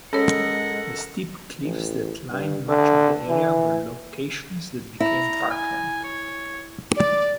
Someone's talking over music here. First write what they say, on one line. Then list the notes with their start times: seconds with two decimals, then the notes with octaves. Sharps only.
The steep cliffs that line much of the area were locations that became parkland.
0.13 G#3 C#4 A4 A#4 C#5 F#5
1.63 A1
2.31 G2
2.68 D3
3.29 E3
5.00 E4 A#5
5.50 G#5
6.04 C#5
6.96 D5 D6